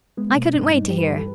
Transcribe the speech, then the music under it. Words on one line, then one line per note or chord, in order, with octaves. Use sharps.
'I couldn't wait to hear.
G#3 B3
A#3
B2
G2 D4
G3 D#4
G2 G4
B4
E3
A4